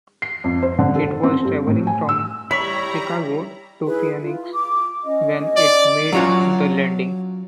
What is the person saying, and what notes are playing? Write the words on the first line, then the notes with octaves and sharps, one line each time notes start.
It was traveling from Chicago to Phoenix when it made the landing.
C7
F2
C5
D3
A4
C4
G2
A2
G#5
E6
G3 E4 C#5 A#5 B5 C#6 B6
E4 G#4 B4
F4
D6
C#4 D#5
D5
F#3 C#4 F4 F#4 C#5